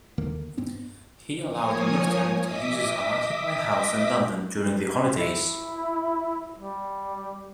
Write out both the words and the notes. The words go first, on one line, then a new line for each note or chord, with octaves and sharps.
He allowed Merton to use his unoccupied house in London during the holidays.
D#2 D3 D#3 A#3
G2 B3 C4 D4
F3 A#3 C#5 G#5 D#6
D#5 E5 D6 D#6 B6
E4
G3